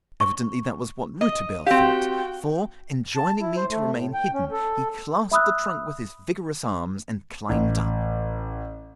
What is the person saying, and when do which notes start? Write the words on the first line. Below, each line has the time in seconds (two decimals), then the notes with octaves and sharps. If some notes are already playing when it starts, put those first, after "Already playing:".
Evidently that was what Rouletabille thought, for, enjoining me to remain hidden, he clasped the trunk with his vigorous arms and climbed up.
0.21 C#6
1.21 D#5
1.66 C4 F#4 G4 F5 G5
3.16 A5
3.40 E4
3.57 C5
3.70 A3
3.95 A2
4.14 G5
4.33 C#4
4.52 A4
5.31 E5 B5 D#6 E6 F#6
7.49 A1